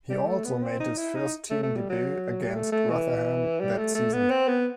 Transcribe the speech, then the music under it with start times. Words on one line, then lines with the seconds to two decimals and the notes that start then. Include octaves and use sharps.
He also made his first team debut against Rotherham that season.
0.09 G3
0.27 A3
0.44 B3
0.62 C4
0.80 D#4
0.97 E4
1.15 D#4
1.50 A3
1.63 A3
1.76 G3
1.89 F#3
2.47 G3
2.55 A3
2.72 A3
2.90 E3
3.60 G3
3.78 A3
3.95 A3
4.13 B3
4.30 C4
4.48 B3